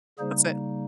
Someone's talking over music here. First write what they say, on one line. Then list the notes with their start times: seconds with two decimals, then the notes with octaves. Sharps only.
That's it.
0.19 C#3 G3 A#3 D#4 G#4 C5